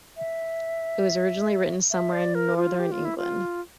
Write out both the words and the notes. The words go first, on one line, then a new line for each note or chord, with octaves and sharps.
It was originally written somewhere in northern England.
E5
E5
D5
A#4
F4
G4
F4
E4
F4